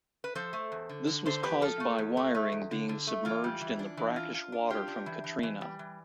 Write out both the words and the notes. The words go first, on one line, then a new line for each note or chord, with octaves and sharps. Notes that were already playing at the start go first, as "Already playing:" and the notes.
This was caused by wiring being submerged in the brackish water from Katrina.
B4
F3 A4 C5
A3
E2
D3
D3
D3 A4 C5
E2 G4 B4
F3 F4 A4
A3
E2
A3
A3
E2
D3
D3
A3
E3 F4
G3
E3
D4
E3
F4
F4
D4
F4 G4
D4
E3
E3
E3
G3
E3